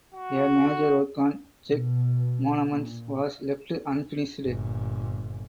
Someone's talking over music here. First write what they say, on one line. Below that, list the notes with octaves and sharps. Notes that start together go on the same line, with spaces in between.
A major work on Czech monuments was left unfinished.
F#4
B2
A#2
G1 A#2